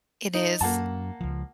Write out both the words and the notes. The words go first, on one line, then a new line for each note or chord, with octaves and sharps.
It is.
D#4
F#2 A#3 F#5 A5
C#2 F3